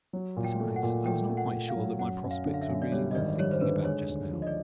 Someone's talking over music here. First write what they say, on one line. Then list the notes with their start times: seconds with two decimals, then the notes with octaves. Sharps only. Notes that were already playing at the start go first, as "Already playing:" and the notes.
Besides, I was not quite sure that my prospects were really worth thinking about just now.
0.13 F#3
0.37 A#2
0.45 G5
0.60 A3
0.76 F#5
0.83 A#2
1.06 A3 G5
1.29 A3
1.37 F#5
1.53 A3
1.69 F5
1.76 F#3
1.99 F#2 F#5
2.23 F#2
2.31 F5
2.46 D3
2.54 F5
2.61 E5
2.69 F#2
2.82 D5
2.92 G3 C#5
3.11 D#5
3.15 G#1 D5
3.38 G3 C#5
3.52 C5
3.61 D3 B4
3.84 G#3 C#5
4.09 D2
4.31 F3
4.42 D#5
4.47 D5